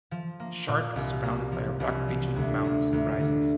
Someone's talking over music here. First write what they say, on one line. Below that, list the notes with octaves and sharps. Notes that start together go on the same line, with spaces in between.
Sharp is surrounded by a rugged region of mounts and rises.
F3
A#3
A#2
C2
A#3
F3
C2
F3
D2
D2
D2
D2